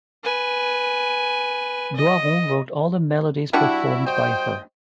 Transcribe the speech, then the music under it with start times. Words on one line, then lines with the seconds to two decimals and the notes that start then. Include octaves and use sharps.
Doiron wrote all the melodies performed by her.
0.23 B4 G#5
1.96 D#5
3.53 G3 D4 E4 F#4
4.05 C5 D#5 G5